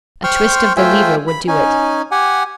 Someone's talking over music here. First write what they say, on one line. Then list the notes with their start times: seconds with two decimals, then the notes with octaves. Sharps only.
A twist of the lever would do it.
0.24 C5 G5 C6 C#6 F6
0.77 A3 F4 C5 E5 G5 G#5
1.27 B5
1.48 C#4 D#4 G#5
2.11 G4 F#5 G#5